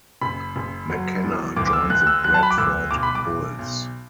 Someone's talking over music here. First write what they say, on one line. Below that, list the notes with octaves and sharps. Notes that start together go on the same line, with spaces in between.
McKenna joined the Bradford Bulls.
F#1 B5
F#1
F#3
E2
D2 D6
D6
E6
D2 F#6
F#6
E6
F#3 F#6
A5
B5
D6
D2 E6
B1 D6
B5
D6
B1
B1